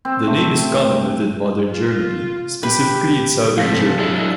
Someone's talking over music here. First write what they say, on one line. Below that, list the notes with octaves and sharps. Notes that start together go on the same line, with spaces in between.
The name is common within modern Germany, specifically in southern Germany.
C4
A3
F4
G4 B4
F2 C3 A4 F5 A#6 B6
F#3 D4 E4